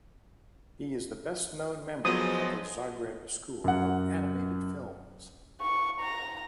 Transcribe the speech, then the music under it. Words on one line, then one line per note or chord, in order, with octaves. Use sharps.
He is the best known member of the Zagreb school of animated films.
F3 F#3 B3 G#4 C5 D#5 D#6
F#2 F#5
C#6
A#5